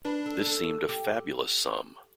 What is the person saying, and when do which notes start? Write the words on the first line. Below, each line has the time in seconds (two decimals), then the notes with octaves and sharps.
This seemed a fabulous sum.
0.05 D4 B4
0.26 A4
0.47 A4
0.89 G4